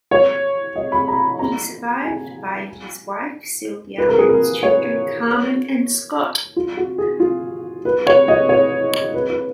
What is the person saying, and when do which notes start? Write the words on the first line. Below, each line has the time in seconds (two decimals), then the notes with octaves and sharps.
He was survived by his wife, Sylvia, and his children Carmen and Scott.
0.11 C#5
0.76 D#5
0.92 B5
1.08 A#5
1.39 A#5
2.04 G#5
3.98 B4
4.09 A#4
4.18 G#4
4.29 A#4
4.63 C#5
6.56 F4
6.77 F#4
6.98 G#4
7.20 F4
7.85 B4
8.07 C#5
8.28 D#5
8.49 C#5
9.14 B4
9.30 B4